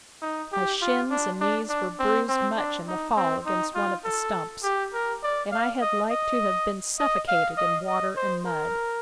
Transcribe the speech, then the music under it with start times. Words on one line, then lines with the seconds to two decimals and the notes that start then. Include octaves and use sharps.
My shins and knees were bruised much in the fall against one of the stumps; and I had like to have been suffocated in water and mud.
0.22 D#4
0.52 G4
0.82 F4
1.11 D4
1.41 D4
1.69 D4
2.00 C4
2.28 C4
2.58 D4
2.88 D#4
3.17 C4
3.46 D#4
3.75 F4
4.05 A4
4.64 G4
4.94 A#4
5.23 D5
5.52 F5
5.82 D#5
6.11 D#5
6.99 D#5
7.28 F5
7.58 D#5
7.88 D#5
8.17 C5
8.46 A#4